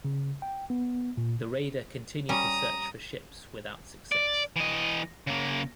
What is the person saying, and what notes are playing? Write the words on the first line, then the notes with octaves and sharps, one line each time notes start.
The raider continued to search for ships without success.
C#3
G5
B3
A#2
G3 C#4 A#5 D#6
D5
E3 D#5
C#3 A#3